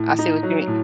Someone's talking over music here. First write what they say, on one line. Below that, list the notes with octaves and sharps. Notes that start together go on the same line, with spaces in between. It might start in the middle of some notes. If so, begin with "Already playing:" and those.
I see what you mean
Already playing: A2
D#4
F#3
A2